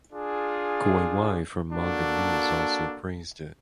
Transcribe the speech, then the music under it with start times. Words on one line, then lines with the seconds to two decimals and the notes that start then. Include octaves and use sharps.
Koiwai from Manga News also praised it.
0.12 D4 F4 G#4
1.72 A#3 D4 F#4 A4